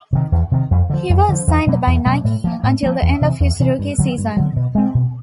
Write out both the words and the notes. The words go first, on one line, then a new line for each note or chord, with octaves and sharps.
He was signed by Nike until the end of his rookie season.
C3 D#3
E2
C3 D#3
F2
D3 F3
F2
D3 F3
E2
B2 F#3 A#3
E2
B2 F#3 A#3
A2
F3 A#3
A2
F3 A#3
E2
C3 E3
E2
C3 E3
G2
D3 F#3
G2
D3 F#3
B2
G#3 C4
B2